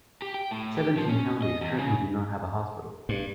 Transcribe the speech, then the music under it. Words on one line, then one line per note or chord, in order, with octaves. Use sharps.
Seventeen counties currently do not have a hospital.
G4
G5
A2
G4
F3
C#4
D#5
E2
C#3
G2